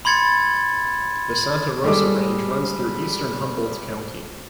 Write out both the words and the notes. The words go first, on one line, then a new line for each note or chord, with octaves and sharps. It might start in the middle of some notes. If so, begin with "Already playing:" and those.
The Santa Rosa Range runs through eastern Humboldt County.
B5 C6 G#6 A6 C#7
G3 G#3 A4 D#5 D6